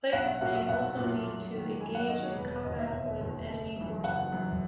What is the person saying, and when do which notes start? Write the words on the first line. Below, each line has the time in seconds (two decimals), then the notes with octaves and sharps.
Players may also need to engage in combat with enemy forces.
0.13 B1 F#5
0.27 E5
0.41 A#2 F#3 A#3 C#4 F#5
0.55 E5
0.69 B1 F#5
0.97 A#2 F#3 A#3 C#4
1.25 F#2
1.53 D#3 A#3
1.81 F#2 G#5
1.95 F#5
2.09 D#3 A#3 D#5
2.23 C#5
2.36 E1 B4
2.51 B4
2.64 D#2 D#3 D#5
2.79 E5
2.92 E1 E5
3.21 D#2 D#3
3.49 F#1
3.76 F#2 E3
4.04 F#1 F#5
4.32 F#2 E3